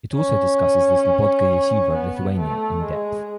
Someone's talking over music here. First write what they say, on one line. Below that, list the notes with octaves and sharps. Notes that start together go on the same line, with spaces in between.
It also discusses the Slabodka Yeshiva of Lithuania in depth.
C#4
B3
A3
G#3